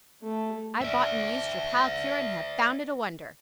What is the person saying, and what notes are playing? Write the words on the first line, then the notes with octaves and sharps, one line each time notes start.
I bought and used your Pile Cure and have found it a wonder.
A3
D5 E5